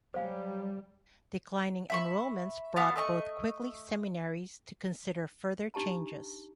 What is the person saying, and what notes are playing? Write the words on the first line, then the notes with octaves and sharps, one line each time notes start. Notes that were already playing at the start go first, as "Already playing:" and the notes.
Declining enrollments brought both Quigley seminaries to consider further changes.
F#3 G3 C5 F5 G#5
E5 B5 C#6
B3 F#4 F5 A5
A3 D#5 A5 C#6
D4 D#4 G4 A5 A#5